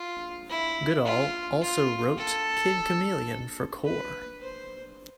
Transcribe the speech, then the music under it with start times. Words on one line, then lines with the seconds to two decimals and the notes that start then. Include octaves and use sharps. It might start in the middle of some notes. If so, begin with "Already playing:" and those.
Goodall also wrote Kid Chameleon for Cor!!
Already playing: F4
0.50 E4
1.05 F4
1.61 F4
2.17 A4
3.85 B4
4.41 C5